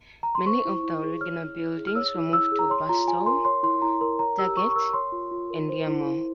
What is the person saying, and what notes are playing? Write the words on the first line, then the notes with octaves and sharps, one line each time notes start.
Many of the original buildings were moved to Barstow, Daggett and Yermo.
A#5
C6
C5 C#6
E4
E4
G#4
C#5 F6
E4
E4
G#4
F6
C#5 E6
E4
E4 E6
G#4
A#5
C#5 C6
F4 A#5
F4 G#5
A#4 C6
C#5 C6
E4 C6
E4 A#5
A#4 C6
C#5 A#5
G4 E6
G4 C#6
C#6
A#4 E6
C#5 C6
F4
F4
A#4
C5
E4
E4